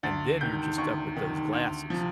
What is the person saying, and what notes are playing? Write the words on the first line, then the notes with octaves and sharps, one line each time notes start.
And then you're just stuck with those glasses
D2 A6
C3 D#3 G6
D2 C#6
C3 D#3
D2
C3 F3